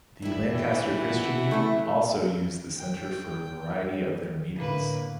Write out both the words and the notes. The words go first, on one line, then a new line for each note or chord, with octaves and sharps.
The Lancaster Christian Union also use the centre for a variety of their meetings.
D4 E4 G4 D5
E3 G5
E5 F#5
A3 D4 E4
G5
A2 D3 A#3 B4